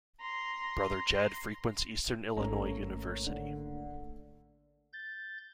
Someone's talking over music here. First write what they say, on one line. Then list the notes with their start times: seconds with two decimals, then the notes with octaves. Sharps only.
Brother Jed frequents Eastern Illinois University.
0.21 A#5 C6
2.37 G#1 A3 A#3 C#4 A4 C#5 A#5
3.26 D3
4.93 G6 A6